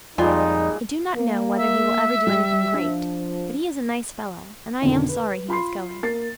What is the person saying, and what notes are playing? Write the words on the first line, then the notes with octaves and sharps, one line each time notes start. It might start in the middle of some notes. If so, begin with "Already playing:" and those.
I do not know whether he will ever do anything great, but he is a nice fellow, and I am sorry he is going.
F2 A#2 G3 G#3 D#4 F4 G#5
A#3
E5
G3
F3 D4
F2 B2 D3 D#3
B4
F4 B5 C6 C7
A#3 A6 C7